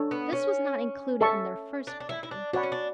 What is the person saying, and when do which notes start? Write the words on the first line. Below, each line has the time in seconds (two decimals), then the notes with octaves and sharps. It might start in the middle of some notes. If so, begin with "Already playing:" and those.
This was not included in their first plan.
Already playing: D4 A4 C#5
0.11 B3
0.33 C#4
1.21 A4 E5 A5 C#6
1.87 D4
2.00 D4
2.09 E4
2.23 E4
2.31 D4
2.53 D4 F#4 C#5 F#5 B5
2.63 C#4
2.72 D4